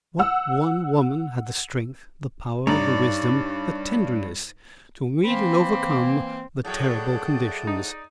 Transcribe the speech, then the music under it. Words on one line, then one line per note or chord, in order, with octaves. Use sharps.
What one woman had the strength, the power, the wisdom, the tenderness, to meet and overcome the terrible conditions?
F#5 E6
G2 D#4 C#5 D5
E3 A#3 C4 B5
A2 F#3 G#4 D5 F#5 A5 G6
D#4